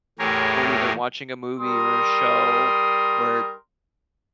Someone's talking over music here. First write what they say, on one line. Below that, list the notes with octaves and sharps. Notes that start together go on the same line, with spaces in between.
we're either watching a movie or a show. We're
E2 A2 G4 G#4 A#4 C#5
G3 A#4 C6 D#6